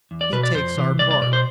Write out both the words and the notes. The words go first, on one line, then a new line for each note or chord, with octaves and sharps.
He takes our part.
E2
D5
B2 B4
D5
F2 C5
C3 E3
C2 D5
D5
B2 D5
C5